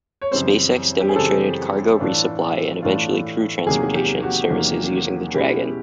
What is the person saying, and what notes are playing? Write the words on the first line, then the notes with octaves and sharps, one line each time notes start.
SpaceX demonstrated cargo resupply and eventually crew transportation services using the Dragon.
C#5
F#2 C#3 E3 G3 C4 C5
G4
G#4
F#2 C#3 E3 G3 C4 A4
A2 E3 A3 D4 F4
A2 E3 A3 D4 F4
E2 C3 D#3 F#3 A#3 G#4
G4
F#4
E2 C3 D#3 F#3 A#3
B2 G#3 C#4 E4 G4